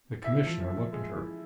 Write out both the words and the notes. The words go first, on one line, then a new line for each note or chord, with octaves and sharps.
The Commissioner looked at her.
E4 E5
F3
F3
G#3
E4